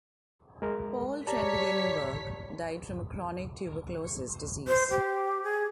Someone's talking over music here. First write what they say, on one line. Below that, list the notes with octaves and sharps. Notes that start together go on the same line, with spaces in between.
Paul Trendelenburg died from a “chronic tuberculosis disease”.
G#3 A#4
G3 C#5 A5 A#5 B6
C5
G4
G#4